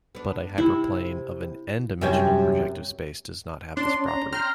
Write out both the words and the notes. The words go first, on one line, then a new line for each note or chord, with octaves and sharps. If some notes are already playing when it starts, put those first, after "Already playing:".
But a hyperplane of an "n"-dimensional projective space does not have this property.
B3 D4
C3 E4
F#2 C3 G3 D4 G4 C#5
C#4 D4 C6
A#5
G5 A#5 C6 F6